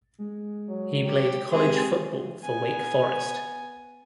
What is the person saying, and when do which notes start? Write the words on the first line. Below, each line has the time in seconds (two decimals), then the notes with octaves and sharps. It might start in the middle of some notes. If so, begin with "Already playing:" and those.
He played college football for Wake Forest.
0.18 G#3
0.69 F#3
1.06 G4
1.51 G#3 C4 G4 G#4
2.43 B3 G#5